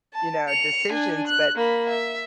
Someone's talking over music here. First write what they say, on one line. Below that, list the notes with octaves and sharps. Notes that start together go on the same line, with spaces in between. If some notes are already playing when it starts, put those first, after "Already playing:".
you know, decisions, but
A5
C#7 F7
D4 G#5
F#6
A#3 B5
E5